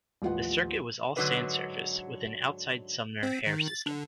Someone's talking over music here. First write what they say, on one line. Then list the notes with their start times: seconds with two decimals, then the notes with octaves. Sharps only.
The circuit was all sand surface with an 'Outside Sumner' hare system.
0.22 D#1 A1 F3 F4 B4 F#5
1.16 G#2 D3 F#3 D4 B4 D#5
3.23 C4
3.47 D#3
3.68 A6
3.86 D3